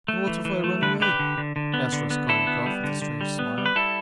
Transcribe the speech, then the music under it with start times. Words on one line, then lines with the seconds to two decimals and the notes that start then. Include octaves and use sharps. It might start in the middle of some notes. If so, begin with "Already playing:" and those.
"And what if I run away?" asked Raskolnikov with a strange smile.
0.08 A3
0.27 E3
0.45 E3
0.64 A3
0.82 D3 B4
1.00 D3 G4 B4
1.19 D3
1.38 D3
1.56 D3
1.74 B3
1.92 D3
2.10 B3
2.29 D3 E4 A4
2.47 B3
2.66 G3
2.84 D3
3.02 D3
3.21 G3
3.39 B3
3.58 G3
3.66 B4
3.76 G3 E4 A4